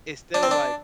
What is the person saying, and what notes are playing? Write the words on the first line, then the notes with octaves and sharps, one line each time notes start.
instead of, like,
D4
C4
D4